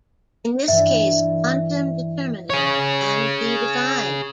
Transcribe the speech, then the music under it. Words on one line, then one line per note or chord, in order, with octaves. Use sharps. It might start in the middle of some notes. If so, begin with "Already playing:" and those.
In this case quantum determinant can be defined.
G2 E3 E5
G#4 C#5